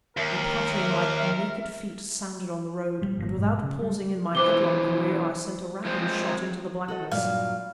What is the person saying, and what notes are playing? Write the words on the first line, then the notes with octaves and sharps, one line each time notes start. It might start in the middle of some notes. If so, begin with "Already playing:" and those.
A pattering like naked feet sounded on the road, and, without pausing in my headlong career, I sent a random shot into the blackness.
D#2 A#4 E5
A#2 G3
G#1 D3 A#3
B1 G#2
C#3
G3
B2 E3 F3 C5 D6 G7
F3 G#3 C4
F#4 A4 D#5
G2 A#2 F#3 F5